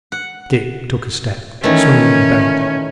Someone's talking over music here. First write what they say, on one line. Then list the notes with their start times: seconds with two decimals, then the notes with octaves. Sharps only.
Dick took a step, swinging the belt.
0.12 F#5
1.63 D#3 E3 A3 C#4